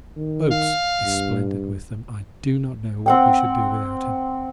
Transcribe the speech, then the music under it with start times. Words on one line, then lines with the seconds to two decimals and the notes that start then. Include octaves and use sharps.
Oates is splendid with them--I do not know what we should do without him.
0.17 D#3
0.51 F5
1.04 G2
3.06 C4 F#5 G5